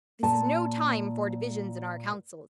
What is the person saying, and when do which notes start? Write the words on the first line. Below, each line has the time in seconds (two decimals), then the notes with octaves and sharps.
This is no time for divisions in our councils.
0.23 A#2 A5